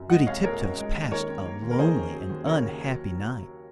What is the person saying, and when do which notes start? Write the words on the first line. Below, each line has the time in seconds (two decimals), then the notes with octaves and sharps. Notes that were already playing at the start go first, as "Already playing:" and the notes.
Goody Tiptoes passed a lonely and unhappy night.
Already playing: F#2
0.10 G#3 D#5 F#5
0.26 C2 C#5 F5
0.44 A#2 A#4 C#5
0.61 C#4
0.77 G#3
0.94 D#2
1.11 D#3 A#4 C#5
1.29 C#4
1.45 A#3
1.62 D#2
1.71 A#4
1.79 D#3 G#4 C5
1.96 C#4
2.13 F#3
2.29 D#2
2.46 C#3 A#4 C#5
2.63 D#2
2.80 F#3